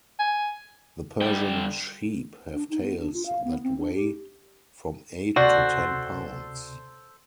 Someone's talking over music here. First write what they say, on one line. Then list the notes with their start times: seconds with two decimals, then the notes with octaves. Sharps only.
The Persian sheep have tails that weigh from eight to ten pounds.
0.19 G#5
1.22 D3 G3 G5
2.54 D4
2.70 D#4
2.82 B3
3.00 D4
3.14 F4
3.26 F5
3.44 B3
3.63 C4
3.78 D4
3.95 G4
5.36 D2 C3 F#4 A4 C5 D5 C6